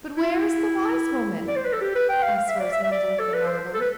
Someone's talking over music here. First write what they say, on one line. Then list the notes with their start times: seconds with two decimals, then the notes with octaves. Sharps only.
"But where is the wise woman?" asked Rosamond, looking all about.
0.16 E4
0.23 F4
0.30 E4
1.48 D5
1.56 C5
1.65 B4
1.73 A4
1.81 G4
1.95 B4
2.09 G5
2.22 F5
2.36 F5
2.48 E5
2.60 D5
2.72 E5
2.83 E5
2.92 D5
3.19 A4
3.33 B4
3.46 C5
3.74 A4
3.81 B4